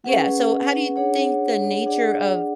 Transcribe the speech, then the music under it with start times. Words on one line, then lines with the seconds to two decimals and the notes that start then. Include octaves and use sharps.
Yeah, so how do you think the nature of
0.04 C#4 G#4 B4 F#5
0.96 D4 G#4 C#5 F#5
1.86 D4 G#4 D5 F#5